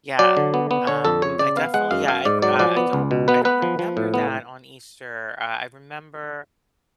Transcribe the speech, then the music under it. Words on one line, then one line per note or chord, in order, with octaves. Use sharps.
yeah, um, I definitely yeah, I I don't I don't remember that on Easter, uh, I remember
F#3 D5
D3
B3
B3
D3 C#5
F2 A4
C#3 C#5
C#3 D5
B3 F5
G#3 F#5
F#2 F5
F#2 F5
G#2 D5
F#3 D5
F3 D5
B3
C#2
B2
B3 B4
B3 B4
F3
F3
A2
B3